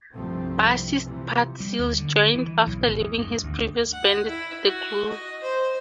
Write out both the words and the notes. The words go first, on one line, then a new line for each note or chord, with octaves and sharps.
Bassist Pat Seals joined after leaving his previous band The Grove.
C2 G2 C3 F3 A3 C4
C3 E3 F3
G3
D#2
D3
E3
B1
G#1
E2
G2
D2
F#5
E4
F#4
D#5
C5